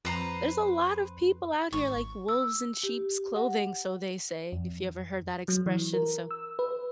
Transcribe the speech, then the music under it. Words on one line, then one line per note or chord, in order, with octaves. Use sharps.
There's a lot of people out here like wolves in sheep's clothing, so they say, if you ever heard that expression, so
F2 B4 C5 A#5
G#1 C#6
E6
G4
F#5
F2
F#3
E3
A#4
E6
B4